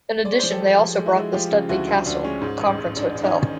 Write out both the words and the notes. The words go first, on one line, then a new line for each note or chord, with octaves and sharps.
In addition they also bought the Studley Castle, a conference hotel.
G#3 D5
C#5
F3 C5 D5
G4 A4
G#3
F3
G#3
E4 F#4
G#3
F3 F4 G4
C#3
D2 E4 F#4
D2
D2 D4
G#3 C#4
G#2
A1
A1
A1 D4
A1 D4
C#4 D#4
D#3